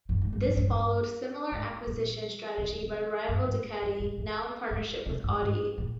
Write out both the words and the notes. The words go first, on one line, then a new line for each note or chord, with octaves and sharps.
This followed similar acquisition strategy by rival Ducati, now in partnership with Audi.
G2
G#2
G2
G2
G#2
G2
G#2
A#2
C3
D3
C3
G2
G#2
G2
A#2
G#2
G#2
C3
G#2
G#2
A#2